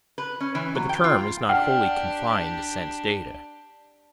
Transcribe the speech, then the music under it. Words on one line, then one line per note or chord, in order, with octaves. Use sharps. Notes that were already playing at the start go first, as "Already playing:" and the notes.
But the term is not wholly confined to sense-data.
B4
C#4
E3
F#3
G5
F4
D4 G4 F#5 G5 F6